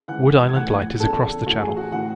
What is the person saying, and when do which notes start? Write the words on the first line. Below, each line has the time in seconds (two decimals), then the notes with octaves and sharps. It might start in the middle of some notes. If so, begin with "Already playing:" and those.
Wood Island Light is across the channel.
0.08 G#2 E3 F#5 F#6
0.49 G#6
0.54 A2 E3 F#5 F#6
1.00 E2 C#3 E3 A4 A5
1.46 A2 E3 F#4 F#5
1.61 G#4 G#5
1.77 F#4 F#5
1.92 A2 E3 F#4 F#5